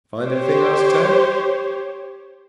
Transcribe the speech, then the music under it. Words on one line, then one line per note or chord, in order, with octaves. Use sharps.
"Find anything?" asked Tad.
G4 C5 C#5